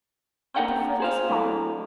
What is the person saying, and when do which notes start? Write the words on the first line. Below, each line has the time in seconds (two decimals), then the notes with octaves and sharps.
I prefer this hock.'
0.56 A#3 D4 G#4 A#4 F#5 G5
1.00 G#4 C5 F5
1.29 A2 D3 F#3